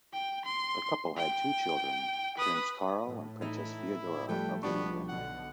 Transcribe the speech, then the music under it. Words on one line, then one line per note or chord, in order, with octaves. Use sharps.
The couple had two children, Prince Carl and Princess Feodora of Leiningen.
G5
C6
G5
B4 D#6
A2
E3 D#4 E4
F3 G3 A3 A4 B4 G5
B1 F3 G3 B3 D4 F#4 G4 C#6
B1 B2 D3 F#5